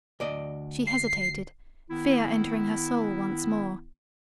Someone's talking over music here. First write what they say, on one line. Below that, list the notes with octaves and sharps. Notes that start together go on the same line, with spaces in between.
She hesitated, fear entering her soul once more.
D2 D5 D#5
C7
D#3 B3 E4